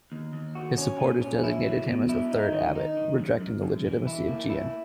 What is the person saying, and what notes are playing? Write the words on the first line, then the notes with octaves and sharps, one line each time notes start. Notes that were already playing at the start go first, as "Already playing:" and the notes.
His supporters designated him as the third abbot, rejecting the legitimacy of Gien.
D#2
D#2
F#4
C#4
A#2
C#4
E4
F#3
B2
E4
D#4
D#3
D#4
D#3
F#2
F#2
F#2
E3
E4
A#3
E4